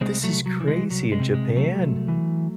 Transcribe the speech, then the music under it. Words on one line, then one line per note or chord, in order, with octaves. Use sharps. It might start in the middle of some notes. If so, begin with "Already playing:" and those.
This is crazy! In Japan?
C2 G#3 C4
F#3 A3
C2
F#3
E3
G#3
C2 F#3
G#3
C3
G#3
C2
F#3 A3
C2
E3